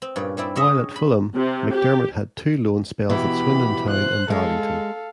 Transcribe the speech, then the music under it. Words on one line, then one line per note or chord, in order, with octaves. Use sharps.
While at Fulham, McDermott had two loan spells at Swindon Town and Darlington.
C4
G2 A#2 C#4 D5
G3 C4 E4 D5
C#4 G#4 C#5 D#5 E5
B5
C3
G4
B2 E3 G4 B5
C5 F#6
G#3 A4 F5